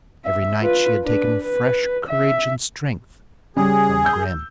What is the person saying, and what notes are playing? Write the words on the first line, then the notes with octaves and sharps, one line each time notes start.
Every night she had taken fresh courage and strength from Grimm.
E5
F4 B4
D4 B4
B4
E5
C#3 G3 C#4 G#4
E6 G6